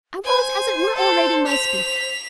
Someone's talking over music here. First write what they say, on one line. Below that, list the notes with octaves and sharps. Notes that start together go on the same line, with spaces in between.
I was, as it were, orating my speech.
C5 G#5
A4
B6 F7